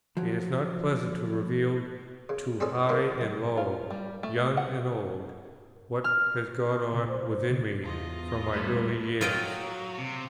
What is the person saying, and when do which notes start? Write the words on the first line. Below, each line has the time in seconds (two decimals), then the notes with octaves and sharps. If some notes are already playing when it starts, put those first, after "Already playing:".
It is not pleasant to reveal to high and low, young and old, what has gone on within me from my early years.
0.17 F3 F#3
2.29 C#3
2.60 C4 C#4 G#4 A4 D5
2.89 G#2 B2 D3 A#3
3.21 B1
3.57 F4
3.90 G3
4.23 A3
4.57 F#5
6.04 F6
6.94 C3
7.09 C5
7.32 C5
7.50 C#3
7.84 E2 F4 D#5
8.54 G3 A3 B4
9.21 F#3 F4 D#5 G5
9.98 C3